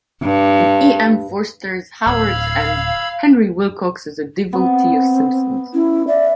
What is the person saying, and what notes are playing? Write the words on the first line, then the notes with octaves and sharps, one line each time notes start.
In E. M. Forster's "Howards End", Henry Wilcox is a devotee of Simpson's.
G2
D1 F5 B5 E6 G#6
B3 C4
C#4 E4
D5 E5